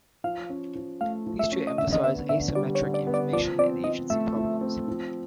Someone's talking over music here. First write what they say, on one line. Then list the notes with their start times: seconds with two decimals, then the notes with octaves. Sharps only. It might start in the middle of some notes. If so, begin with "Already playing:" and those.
These two emphasize asymmetric information and agency problems.
0.24 F3 F5
0.49 C#4
0.75 F3
1.01 A3 F5
1.26 F3
1.39 E5
1.52 C#4
1.67 D#5
1.78 D3 E5
1.93 D#5
2.04 B3 E5
2.29 D3 E5
2.55 G3 D5
2.75 C#5
2.81 D3
2.94 D5
3.07 B3
3.14 D5
3.32 F3 D5
3.58 C4 D5
3.84 F3 D#5
4.10 A3 E5
4.36 F3
4.61 C4
4.88 F3